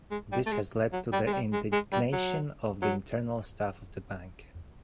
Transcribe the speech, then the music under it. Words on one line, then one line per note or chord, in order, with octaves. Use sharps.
This has led to the indignation of the internal staff of the bank.
G#3
G3
A3
G#3
F#3
G3
G#3
G3
G#3
G#3
G3
F#3
F#3